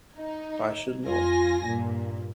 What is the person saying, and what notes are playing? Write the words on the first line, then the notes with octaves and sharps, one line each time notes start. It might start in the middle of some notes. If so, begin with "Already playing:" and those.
I should know.
D#4
F2 F4 G#5 A#6
G2 A#2